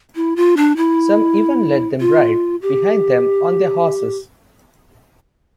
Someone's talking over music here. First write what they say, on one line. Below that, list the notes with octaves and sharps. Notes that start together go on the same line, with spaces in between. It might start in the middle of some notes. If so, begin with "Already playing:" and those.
Some even let them ride behind them on their horses.
E4
F4
D4
E4
F4
G4